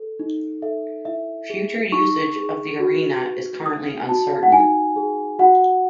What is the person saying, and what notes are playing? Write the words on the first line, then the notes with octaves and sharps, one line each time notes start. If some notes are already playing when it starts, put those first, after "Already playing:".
Future usage of the arena is currently uncertain.
Already playing: A4
D#4
A4 E5
E4 E5
G#4
D#4 C#6
G#4
F#4
B4
D#4 D#6
F#4 A5
F#5
D#4 G#5
G#4
F#4 F#5